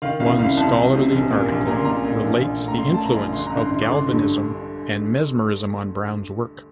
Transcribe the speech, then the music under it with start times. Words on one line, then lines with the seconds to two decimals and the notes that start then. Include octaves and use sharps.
One scholarly article relates the influence of Galvanism and Mesmerism on Brown's work.
0.02 D#3 F5
0.20 C2 F5
0.39 C2 F5
0.57 C2 A5
0.76 C2
0.93 C3
1.12 A#1
1.30 A#2
1.49 A#1
1.67 A#2 A#5
1.76 C6
1.85 A#2 A#5
2.04 A#2
2.22 A#1
2.41 A#1
2.59 A2
2.68 A#5
2.77 A2 C6
2.94 A2 A5
3.05 A#5
3.14 A#1
3.33 G1 C6
3.46 A#5
3.52 G1
3.60 C6
3.70 G1 C6
3.82 D6
3.87 D3 C6
4.07 G2